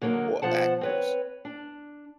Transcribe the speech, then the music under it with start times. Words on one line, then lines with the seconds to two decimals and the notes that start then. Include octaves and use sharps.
or actors,
0.02 D3 F#3 A#3 C4 D#4
0.42 B2 F3 C5 F#5 A5
0.81 C4 B4 C#5
1.45 D4